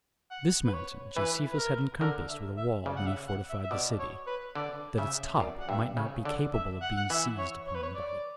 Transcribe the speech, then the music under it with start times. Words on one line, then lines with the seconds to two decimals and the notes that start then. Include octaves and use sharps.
This mountain Josephus had encompassed with a wall when he fortified the city, that its top might not be capable of being seized upon by the enemies.
0.31 F#5
0.64 B4
0.74 C#5
1.16 E3 B4
1.52 B4
1.58 A#4
2.01 D3 A#4
2.29 E5
2.57 E5
2.86 C#3 D5
2.97 F#5
3.07 E5
3.28 F#5
3.49 E5
3.64 E5
3.71 B2 D5
3.99 C#5
4.27 B4
4.55 D3 D5
4.98 C#3 E5
5.40 F#2 D5
5.60 F#5
5.69 G2 E5
5.97 C#3 C#5
6.25 D3 D5
6.53 E5
6.82 F#5
6.97 F#5
7.10 E3 E5
7.38 C#5
7.67 C#5
7.75 B4
7.83 C#5
7.95 D5